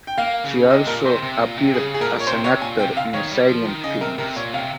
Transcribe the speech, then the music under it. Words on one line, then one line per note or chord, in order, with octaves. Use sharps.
She also appeared as an actor in silent films.
G5
A#3 F5
C#3
C3 D#5
A#2 A#4
C3 C5
C3
A#2
C3
C#3 G#4
G#4
A#2 A#4
C#5
C3 C5
C3 C#5
A#2 G#5
C3 G5
F5
D#3 C#5
G3
F3
D#3
C#3 D#5
C3 A#4
C3 A#4
A#2 C#5
C3 F5